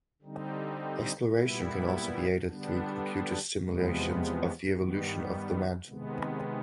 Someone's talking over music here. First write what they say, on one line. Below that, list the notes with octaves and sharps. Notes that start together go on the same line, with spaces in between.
Exploration can also be aided through computer simulations of the evolution of the mantle.
D3 G3 C4 D#4
A#2 G3 B3 E4
D3 G3 B3 D4
E2 C3 F3 G#3 B3
G2 D#3 G3 B3
C3 D#3 G#3 B3